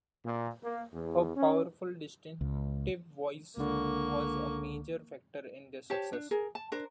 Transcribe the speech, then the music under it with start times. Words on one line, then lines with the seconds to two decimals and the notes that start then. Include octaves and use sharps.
Her powerful, distinctive voice was a major factor in their success.
0.24 A#2
0.62 A#3
0.93 E2
1.35 C#4
2.41 C#2
3.57 C#2 D3 A#3 C#6
5.90 G4 C5 C#5 A5
6.13 D4
6.31 G#4 A#4
6.55 A5
6.72 D4 A#4 C5